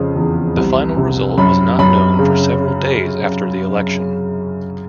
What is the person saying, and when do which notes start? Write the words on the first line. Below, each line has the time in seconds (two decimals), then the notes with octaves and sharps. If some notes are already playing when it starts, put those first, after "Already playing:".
The final result was not known for several days after the election.
Already playing: F2 C#3
0.16 E2
0.57 C2
0.97 C3
1.38 F#2 B5
1.79 F#2 B5
2.19 C#3